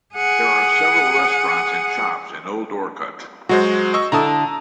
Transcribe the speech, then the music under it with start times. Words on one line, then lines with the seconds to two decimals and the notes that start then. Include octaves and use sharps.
There are several restaurants and shops in Old Orcutt.
0.15 G#4 F#5
3.49 F#3 G#3 F#4 C5
3.94 D#5 C#6 E6
4.12 D3 E4 A5 A#5 D#6